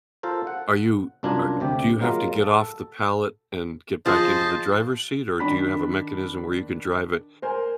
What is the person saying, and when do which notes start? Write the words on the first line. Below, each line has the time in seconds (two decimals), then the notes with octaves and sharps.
Are you ar do you have to get off the pallet and get back into the driver's seat, or do you have a mechanism where you can drive it
0.23 F4 A4 A#4 C5
0.47 F#5
1.23 C2 F#2 D4 F4 A#4 G#5
1.60 D2 C3 G4
2.00 F#3 G#3 A#3 F4 A#4
2.43 A4
4.06 F3 G#4 C5 D#5 A5
5.40 D#3 D4 B5 B6
7.42 A#4 C5 G#5